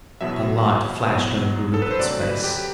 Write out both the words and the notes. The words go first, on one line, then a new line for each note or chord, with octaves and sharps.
A light flashed over Rupert's face.
E2 B2 F#3 E5
E2 B2 F#3
A4
B4
C5
D2 C3 F#3 D5
B4
G4